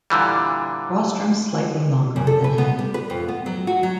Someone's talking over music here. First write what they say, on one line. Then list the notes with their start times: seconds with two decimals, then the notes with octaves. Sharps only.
Rostrum slightly longer than head.
0.10 A#2 D3 E3 G3
2.16 F#2
2.27 A4
2.44 B4
2.58 B3
2.79 G3
2.94 B4
3.10 F2
3.28 B3
3.46 F#3
3.67 F#4
3.83 F#3